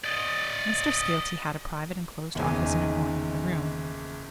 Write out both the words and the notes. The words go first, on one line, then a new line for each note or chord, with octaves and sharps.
Mr. Skeelty had a private enclosed office in a corner of the room.
D5 D#5
F#1 E2 D#3 D#5 G#5